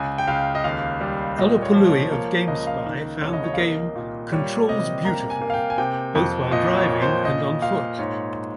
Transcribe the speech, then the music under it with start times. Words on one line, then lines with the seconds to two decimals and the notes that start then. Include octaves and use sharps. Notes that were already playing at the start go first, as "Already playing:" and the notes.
Alupului of GameSpy found the game "controls beautifully", both while driving and on-foot.
Already playing: C#2 G#5
0.18 G5
0.27 C#2 F5
0.55 D#5
0.64 D#2 F5
1.01 G3
1.38 A#2 D#5
1.62 C#5
1.75 F3
1.87 C#5
2.11 A#3 C#5
2.47 C#2 D#5
2.67 F5
2.85 D#3
3.22 C2 C#5
3.33 D#5
3.44 C#5
3.54 F5
3.58 A#3 D#5
3.96 A#2
4.32 G3 C#5
4.68 C3 D#5
5.05 A#3 A#5
5.30 G#5
5.41 A#3
5.50 F5
5.54 G5
5.70 G#5
5.78 C3 G5
6.15 F2
6.51 A#2 D#5
6.77 C#5
6.89 A#2
7.02 C5
7.25 A#2 D#5
7.62 A#2 F5
7.99 G#2 C#5